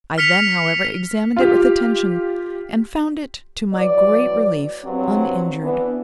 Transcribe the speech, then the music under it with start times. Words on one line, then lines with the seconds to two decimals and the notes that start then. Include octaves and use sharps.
I then, however, examined it with attention, and found it, to my great relief, uninjured.
0.18 F6 B6 C#7 F7
1.36 F4 G4
3.75 E3 F#3 C#5 D5
4.85 E2 G2 F#3 C4
5.62 E3 B3 D4